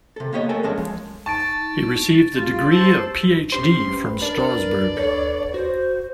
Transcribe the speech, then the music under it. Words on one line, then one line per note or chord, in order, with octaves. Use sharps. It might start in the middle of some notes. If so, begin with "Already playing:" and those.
He received the degree of Ph.D. from Strassburg.
C3 A4
A#3 B3 G4 C#5 D#5
A3 A4 A#4 G#5
E2 G#3 C#4 A5
F3 G#3
D#4 A5 C#6 A6 D7
F4 G4
C5 A5 E6
C#4 G4 C5 C6
B4
D4 A#4 D5
D4 A4 C#5
F#4 C5